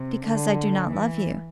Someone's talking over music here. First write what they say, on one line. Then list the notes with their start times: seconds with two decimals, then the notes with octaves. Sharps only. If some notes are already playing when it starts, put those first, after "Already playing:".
"Because I do not love you."
Already playing: C3
0.26 D3
0.91 E3